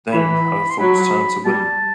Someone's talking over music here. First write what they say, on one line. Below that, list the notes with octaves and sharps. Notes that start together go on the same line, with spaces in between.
Then her thoughts turned to William.
E3 B5
C6
F#3 B5
G3 A5